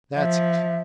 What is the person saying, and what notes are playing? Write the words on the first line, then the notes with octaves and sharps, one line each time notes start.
'That's it!
F3 E5